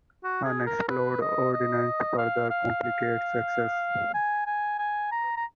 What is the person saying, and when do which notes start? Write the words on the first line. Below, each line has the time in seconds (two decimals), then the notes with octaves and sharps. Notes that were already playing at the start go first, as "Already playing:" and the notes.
Unexploded ordnance further complicates access.
0.24 F#4
0.45 G#4
0.67 A#4
0.89 B4
1.21 D#5
1.53 D#5
2.18 F5
2.50 F5
2.83 F5
4.14 G#5
4.46 G#5
4.79 G#5
5.12 A#5
5.37 A#5